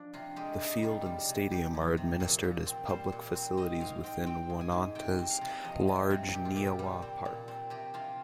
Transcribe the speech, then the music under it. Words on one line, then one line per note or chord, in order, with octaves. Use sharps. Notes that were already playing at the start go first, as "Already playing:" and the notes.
The field and stadium are administered as public facilities within Oneonta's large Neahwa Park.
Already playing: F3 D4
C3 F4
G#3 G4
C3 D#4
G3 F4
G3
C3
F2 G4
F2
C3
A#2 F4
A#2
C4
G3 C5
A#2
C4
C4 D#5
G#2 F5
C4 G5
C4 G5
G#2
G#5
G#2
C3 G5
C4
F5
C3
F3 D#5
C3
C3
A#2 G4
F4
A#2 G4
G3
C4
A#2
C4
C3 G4
C3 F4